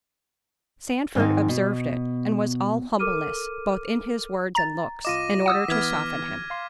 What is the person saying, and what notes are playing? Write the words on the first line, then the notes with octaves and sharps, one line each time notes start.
Sandford observed it, and was all humbleness, both in his words and looks, in order to soften him.
G#2 D#3 C4 D#4
B2
A4 A#4 D6 F6 D#7
A#5 A6
C2 F4 D#5 D6 A#6 D#7
F#5 D#6 E6
E3 B3 F6 G#6 B6
F5 C6